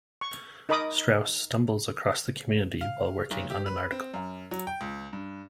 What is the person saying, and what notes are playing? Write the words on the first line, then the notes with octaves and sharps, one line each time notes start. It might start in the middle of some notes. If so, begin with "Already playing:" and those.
Strauss stumbles across the community while working on an article.
C#6
D#4 A#4 D#5 B5 D6 D#6
F5
B1
G4
B4
C4
F#2
F#3
G5
C#2
G2